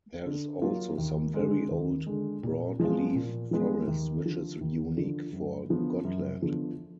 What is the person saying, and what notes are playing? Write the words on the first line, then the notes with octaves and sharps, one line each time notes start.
There is also some very old broadleaf forest, which is unique for Gotland.
D3
F#3 A#3 F4
D#2
D3 G#3
D#2
D3 G#3
A#2
F3 G#3 B3 F4
A#2
F3 G#3 B3 F4
D#2
D3 F3
D#2
D3 F3
F#2
D3 F3 B3
F#2
D3 F3 B3